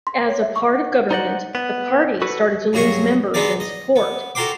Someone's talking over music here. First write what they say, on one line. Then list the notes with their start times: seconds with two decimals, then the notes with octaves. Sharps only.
As a part of government, the party started to lose members and support.
0.07 C6
0.29 C#5
0.42 E5
0.56 C#6
0.75 F#5
1.11 D#4 C5 D5 D#5 F#5
1.55 B3
2.22 F#4 A4 B4
2.73 G2 F#3 G#4 D#5 G#5 C#6
3.34 G#3 B3 D4 D#4 G#4 D5
3.60 D#5
3.96 B3
4.35 F#4 A4 A#4 G5 C6 D6